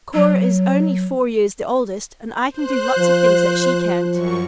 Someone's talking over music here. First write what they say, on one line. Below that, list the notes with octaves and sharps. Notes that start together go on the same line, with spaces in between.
Cora is only four years the oldest, and I can do lots of things that she can't.
F#3
C5 F#6
F3
F#2 C#6